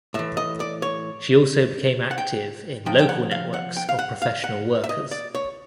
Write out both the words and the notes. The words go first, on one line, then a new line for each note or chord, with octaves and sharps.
She also became active in local networks of professional workers.
A2 E3 E5
D#5
D5
C#5
F#5
G5
C3 F3 G5
G5
F#5
F5
F#5
G5
F5
F#5
F5
F#5
E5
D#5
D5
C#5